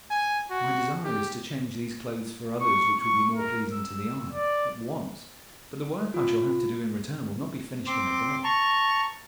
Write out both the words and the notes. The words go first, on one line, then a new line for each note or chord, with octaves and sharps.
My desire is to change these clothes for others which will be more pleasing to the eye, at once; but the work I shall have to do in return will not be finished in a day.
G#5
F#4
G4
C#6
C#6
A#4
E6
D5
F4
C4 C6 D6
A5 A#5 C#6